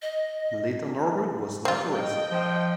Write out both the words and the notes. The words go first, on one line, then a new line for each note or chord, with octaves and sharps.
Melita Norwood was not arrested.
D#5
G3 C4 F4
D#5 G5
F3